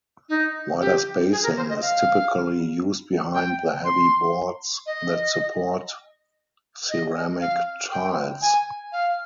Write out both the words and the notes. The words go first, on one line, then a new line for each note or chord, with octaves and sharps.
Wider spacing is typically used behind the heavy boards that support ceramic tiles.
D#4
G4
G#4
A#4
C5
D#5
F5
G5
C6
D#5
D#5
F5
G5
G#5
F5